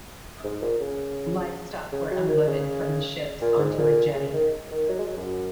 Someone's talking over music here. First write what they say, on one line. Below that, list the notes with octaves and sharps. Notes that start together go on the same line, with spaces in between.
Livestock were unloaded from the ships onto a jetty.
G#2
A#2
C#3
C#3
F#3
D#3
C#3
A#2
G#2
A#2
C#3
D#3
D#3
F#3
G#3
F#3
F#2